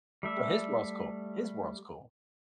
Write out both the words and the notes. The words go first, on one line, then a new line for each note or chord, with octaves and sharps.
So his world's cool. His world's cool.
G3 A3 E5